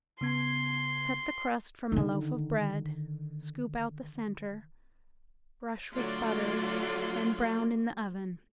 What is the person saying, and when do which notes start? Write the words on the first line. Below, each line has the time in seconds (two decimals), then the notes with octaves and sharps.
Cut the crust from a loaf of bread, scoop out the center, brush with butter and brown in the oven.
0.21 C#3 B3 C6 G#6
1.92 D3 D#3
5.94 D3 F#3 A3 F4 D5 C6